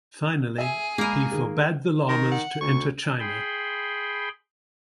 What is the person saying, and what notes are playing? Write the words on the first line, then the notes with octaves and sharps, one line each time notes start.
Finally, he forbade the Lamas to enter China.
G#4 E5 G#5
G#3 A#3 A#4 B5
D#3 G#4
D#3 A#4
F#5
D2 C#6
G#4 G5 B5 C6